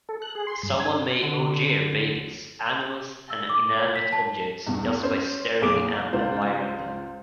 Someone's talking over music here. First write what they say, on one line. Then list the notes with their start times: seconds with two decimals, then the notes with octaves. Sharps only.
Someone may "ojear" babies, animals and inanimate objects just by staring and admiring them.
0.09 A4
0.22 F#6
0.35 G#4
0.47 C6
0.63 G2
0.80 G#5
1.22 D3
3.30 E6
3.49 D6
3.79 C#5
3.96 B6
4.13 A5
4.67 E2 G2
5.03 C#4 C5
5.61 F#1 B1 G#4 D6 D7
6.13 C#2 F4 C5